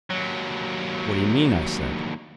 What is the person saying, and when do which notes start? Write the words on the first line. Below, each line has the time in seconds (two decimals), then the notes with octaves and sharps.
"What do you mean?" I said.
0.11 D#2 F#3